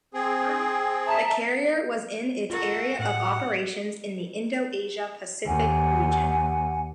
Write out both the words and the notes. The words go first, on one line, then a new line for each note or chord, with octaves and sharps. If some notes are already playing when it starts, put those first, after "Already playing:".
The carrier was in its area of operations in the Indo-Asia-Pacific region.
C4 G#4
E5 A5 A#5
F4 F#4 A4 A#4
A2 F#5
D#2 F#5 G#5